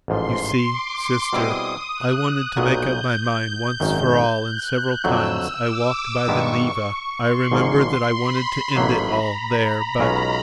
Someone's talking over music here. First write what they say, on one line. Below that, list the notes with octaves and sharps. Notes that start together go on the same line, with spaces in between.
You see, sister, I wanted to make up my mind once for all, and several times I walked by the Neva, I remember that I wanted to end it all there, but...
A1 G#2 F3 C6
D6
B2 G3 C4 E4 G#4 D#6
F#6
F#6
B1 A#2 F#3 B3 G6
G6
G#1 F#2 D#3
F#6
F2 D3 F#3 A3 E6
D6
G2 D#3 G#3 B3 C#6
C6
G#1 G#2 F3 A#3 C6
B5
A1 A2 F#3 A#3 D#4 B5
A#5
B1 B2 G#3 C#4 F4